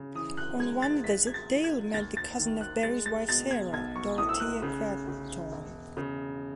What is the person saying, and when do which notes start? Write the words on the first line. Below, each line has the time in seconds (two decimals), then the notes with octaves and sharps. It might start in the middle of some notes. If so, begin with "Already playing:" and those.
On one visit, Dale met the cousin of Barry's wife Sarah, Dorethea Crathorne.
Already playing: C#3
0.15 E3 D#6
0.37 F#6
0.60 G#3 G#6
0.82 A6
1.04 A1 B6
1.27 G#6
1.34 A6
1.50 A2
1.64 G#6
1.94 D#2 A6
2.17 A6
2.39 D#3
2.61 F#6
2.83 G#3 A6
3.06 A6
3.28 B2 A6
3.51 G#6
3.73 B1 G#6
3.96 C#6
4.18 A2 D#6
4.29 E6
4.40 F#6
4.62 C#3
5.08 C#3
5.52 E1
5.97 C#3